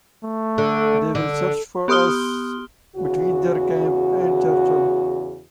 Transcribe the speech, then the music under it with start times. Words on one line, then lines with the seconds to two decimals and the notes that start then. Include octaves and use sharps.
They will search for us between their camp and Churchill.
0.24 A3
0.58 D3
1.15 D3
1.88 B3 G4 C6 D#6 F6 G7
2.96 E2 C#3 F#4